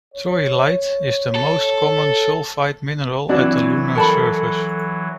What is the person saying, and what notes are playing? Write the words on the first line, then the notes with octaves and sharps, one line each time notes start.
Troilite is the most common sulfide mineral at the lunar surface.
C#5
A4
E3 F#3 C4 D4 E4 F#4 B4
A4 A#4 A5 B5